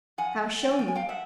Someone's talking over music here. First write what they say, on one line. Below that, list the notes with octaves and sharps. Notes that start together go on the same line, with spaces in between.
I'll show you.
F3 F#5 G#5
A3
G5
G#5
F3 G5
G#5
F5 G5
F3 E5 F#5